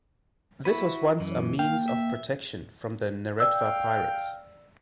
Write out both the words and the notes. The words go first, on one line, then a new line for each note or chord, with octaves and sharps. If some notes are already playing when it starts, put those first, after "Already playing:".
This once was a means of protection from the Neretva pirates.
E4 F#4 B4
F#2 E3
A#3 F5 G5
E5
D5 F5 G5 E6